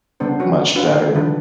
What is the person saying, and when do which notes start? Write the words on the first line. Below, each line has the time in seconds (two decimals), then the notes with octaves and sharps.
much better.
0.20 C#3 G3 B3 D4 C5
0.39 C4 F#4 C#5
0.75 C#4 D4 F4 F#4 B4
0.89 D#3 G4 G#4 C5
1.15 D3 D#3 F3 G3 D4 B4